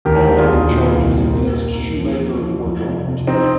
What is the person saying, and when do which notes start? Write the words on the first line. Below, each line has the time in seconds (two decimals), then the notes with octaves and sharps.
All other charges against Sheumaker were dropped.
0.05 D#2 G4 A#4
0.27 D4
0.38 F4 G#4
0.49 D#2
0.71 A#2
0.92 C2
1.13 C4
1.34 A#3
1.56 A#3
1.78 A#3
1.99 F3
2.20 F3
2.42 F3
2.64 F2
2.85 C3
3.06 C3
3.27 F3 C4 D#4